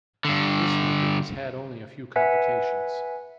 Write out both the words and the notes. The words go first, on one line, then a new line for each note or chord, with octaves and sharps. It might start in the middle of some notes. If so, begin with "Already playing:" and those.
This merger has had only a few complications.
G2 D3
B4 E5 F#5 G#5 B6